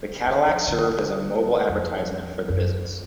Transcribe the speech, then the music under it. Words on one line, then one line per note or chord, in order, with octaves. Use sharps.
The Cadillac served as a mobile advertisement for the business.
D3
F3
D3
F2
F#2